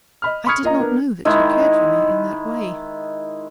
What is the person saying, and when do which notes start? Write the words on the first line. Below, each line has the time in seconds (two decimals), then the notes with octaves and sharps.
I did not know that you cared for me in that way.
0.22 D#5 B5 F6
0.46 B5 C#6 D#6 F6 G#6 C#7
0.63 A#3 F4 D#5 A#5
0.80 B3 D4 A#4
1.25 D#3 G#3 E4